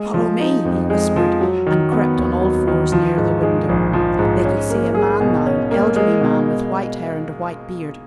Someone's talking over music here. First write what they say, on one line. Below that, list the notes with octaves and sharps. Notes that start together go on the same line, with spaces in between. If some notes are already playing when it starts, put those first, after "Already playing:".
"Follow me!" he whispered and crept on all fours nearer the window. They could see a man now, an elderly man with white hair and a white beard.
Already playing: G#3
F3
D#4
F2
G#3
F3
F#3
D#3
B3
D#2
F#3
D#3
F3
G#2
G#3
A#1
F3
G#2
C#4
A#3
G#4
B2
C#4
A#3
G#3
B2